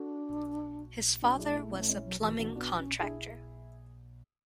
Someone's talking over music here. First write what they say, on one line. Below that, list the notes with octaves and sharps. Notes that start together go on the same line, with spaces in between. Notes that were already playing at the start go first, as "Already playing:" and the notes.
His father was a plumbing contractor.
Already playing: D4 F#4 A4
C#4 D4 F#4
F#3 E4 G#4
G#3
A3 E4 G#4
C#4 E4
A3
G#3 C#4 E4
F#3
E3 F#3 A3
E3 D4 F#4
B3 D4 F#4
C#4
D4 E4 G#4